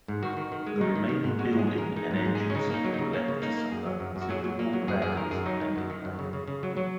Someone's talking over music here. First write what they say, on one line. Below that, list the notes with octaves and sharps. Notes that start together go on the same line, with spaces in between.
The remaining building and engines were left to suffer considerable vandalism and decay.
G#2
D#3 F#4
D#3
D#3
G#3
D#3 D#4
D#3
D#3
G#2
G#3 F#4
G#2
G#4
G#3
G#3 A#4
G#3 D#4
G#2 D#4
G#2
G#3 G#4
C#4
C#3 D#4
A#3 D#4
F#3
C#3 D#4
A#3 C#4
C#3
A#3 D#4
A#3
F#2 G#4
F#3
F#2
F#2
F#4
F#3 G#4
F#3
A#3
F#3
F#2 G#4
F#2 G#4
D#3 A#4
F#2 G#4
F#3 D#4
D#3
F#2
D#3
F#2
C#3
C#3
C#3
F#3
F#3